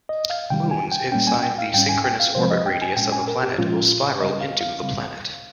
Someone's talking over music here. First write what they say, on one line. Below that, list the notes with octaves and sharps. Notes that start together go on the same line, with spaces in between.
Moons inside the synchronous orbit radius of a planet will spiral into the planet.
D#5
F5
C3 D#3 G3 G5
G#5
G5
A#2 G3 A#3 C#4 G5
G#5
G5
F5
G#2 G3 C#4 G5
G#5
G5
F5
C3 F3 G#3 C4 C5
D#5
G5
G#5
A#2 G#3 C#4 G5
G#5
A#4
G4
A#2 F3 G#3 C#4 F4
C#3 G3 C#4 D#5
F5
F5
C#3 G3 C4